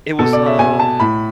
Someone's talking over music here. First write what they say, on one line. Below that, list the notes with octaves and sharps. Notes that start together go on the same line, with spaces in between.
It was, um
B2 A4
D5
E5
B2 G#5
A5
A2 B5